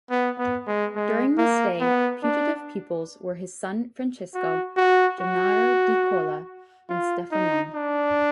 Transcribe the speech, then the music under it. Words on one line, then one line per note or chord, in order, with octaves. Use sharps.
During this stay, putative pupils were his son Francesco, Gennaro di Cola, and Stefanone.
B3
B3
G#3
G#3
A#3
B3
D4
F#4
F#4
F#4
F4
D#4
D4